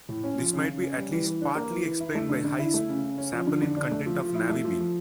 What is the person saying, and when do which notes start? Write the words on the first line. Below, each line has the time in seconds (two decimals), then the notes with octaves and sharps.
This might be at least partly explained by high saponin content of navy bean.
0.09 A2
0.23 C#4
0.38 F3
0.53 C#3
0.67 C#3
0.82 C#4
0.97 G3
1.12 E3
1.26 E3
1.41 D4
1.55 A#3
1.71 E3
1.85 E3
2.00 E4
2.15 A3
2.29 D3
2.44 D3
2.59 E4
2.74 A3
2.88 C#3
3.03 C#3
3.18 C#4
3.33 F3
3.47 D3
3.62 D3
3.77 D4
3.91 A3
4.06 F3
4.21 F3
4.35 E4
4.50 A3
4.64 F3
4.80 F3